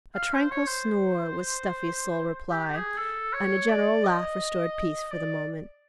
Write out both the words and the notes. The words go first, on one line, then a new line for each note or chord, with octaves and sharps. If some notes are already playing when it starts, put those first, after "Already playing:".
A tranquil snore was Stuffy's sole reply, and a general laugh restored peace for the moment.
F5
C5
C#5
C5
G4
G4
G#4
A4
C#5
D5
D#5
D5